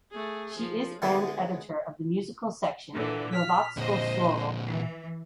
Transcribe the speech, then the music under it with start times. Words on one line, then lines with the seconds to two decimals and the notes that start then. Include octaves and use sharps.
She is and editor of the musical section in "Hrvatsko slovo".
0.11 A3 G#4
0.59 F3
1.02 D3 G#3 B3 E4
2.93 A#2 D3 E3
3.32 F6 B6
3.77 A#2 D3 C5 D#5
4.65 E3